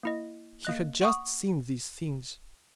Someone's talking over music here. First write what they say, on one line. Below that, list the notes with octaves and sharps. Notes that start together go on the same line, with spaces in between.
He had just seen these things.
A#3 E4 D#5
A#3 D#5 F#6
F#5 C#6 D#6